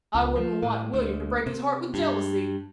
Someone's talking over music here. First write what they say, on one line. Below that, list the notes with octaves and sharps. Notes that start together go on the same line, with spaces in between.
I wouldn't want William to break his heart with jealousy.
C#2
F3
A2
D2
C3
G2